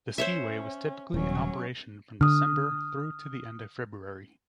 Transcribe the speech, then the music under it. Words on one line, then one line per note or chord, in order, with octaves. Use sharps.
The skiway was typically in operation from December through to the end of February.
C#4 C5 C#5 E5
D#1 F#3 C#4
D3 D#6 F6